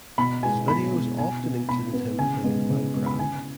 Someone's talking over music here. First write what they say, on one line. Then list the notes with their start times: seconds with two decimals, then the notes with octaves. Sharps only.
His videos often included him playing "Minecraft".
0.18 B2 B5
0.43 G#3 B3 G#5
0.68 B2 B5
0.93 G#3 B3
1.18 B2 G#5
1.43 B3
1.68 B2 B5
1.93 B3
2.19 C#3 G#5
2.44 G#3 B3
2.69 C#3
2.94 G#3 B3
3.06 B5
3.19 C#3 G#5